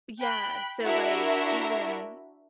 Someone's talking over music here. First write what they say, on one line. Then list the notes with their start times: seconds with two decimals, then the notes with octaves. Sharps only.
Yeah, so, like, even
0.20 G5 B5 F#6
0.85 D4 E4 F#4 A#4 E5